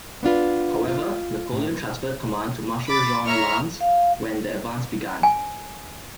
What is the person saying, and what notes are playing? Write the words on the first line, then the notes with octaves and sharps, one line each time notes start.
However, Napoleon transferred command to Marshal Jean Lannes when the advance began.
B3 D4 F4 B4
F4
A2
B5 D6 A6
C#5 E5 A#5 C#6 F6
F5
G#5